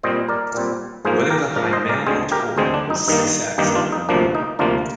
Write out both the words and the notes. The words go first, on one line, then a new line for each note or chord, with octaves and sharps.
Whether the "Hyman Otor" was a success is unknown.
A#2 G3 C4 C5 D#5
A#4 D5
A#2 G3 C4
G#2 F3 A#3 G#4 C5
G4 A#4
G#2 F3 A#3 A#4 D5
C5 D#5
A#4 D5
D2 D3 G#3 C4 G#4 C5
G4 A#4
D2 D3 G#3 C4 G#4 C5
D4
D#4
G2 D#3 A#3 D#4
G2 D#3 A#3 D#4 G4
D4 F4
D#4
D2 C3 F3 A#3 D4
D#4
D2 C3 F3 A#3 D4 F4